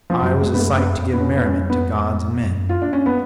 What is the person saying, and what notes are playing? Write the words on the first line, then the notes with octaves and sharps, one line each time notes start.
I was a sight to give merriment to gods and men.
F3
F#2 F#3
G#3
F#2
B3
A3
F#2
B3
F2
B3
C#4
B3
C#4
B3
F#2
F4
D4
C#4
B3